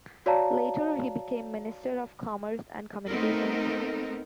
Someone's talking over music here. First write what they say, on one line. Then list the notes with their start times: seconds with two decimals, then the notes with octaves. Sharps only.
Later he became minister of commerce and communications.
0.26 F#4 C#5 D5 F5 A5 A#5
3.08 A3 B3 C4 D#4 A4 A#4